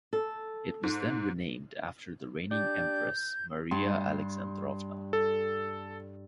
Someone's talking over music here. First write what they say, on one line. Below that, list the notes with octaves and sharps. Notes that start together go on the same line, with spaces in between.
It was then renamed after the reigning Empress Maria Alexandrovna.
A4
G#2
D4 G4 D5 G6
G2 C6
A4